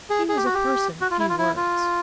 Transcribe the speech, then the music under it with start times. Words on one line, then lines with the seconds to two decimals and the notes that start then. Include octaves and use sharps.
He was a person of few words.
0.10 G#4
0.29 G#4
0.37 G4
0.46 F#4
0.54 G4
1.01 F#4
1.11 F4
1.20 E4
1.29 F4
1.39 E4
1.57 F4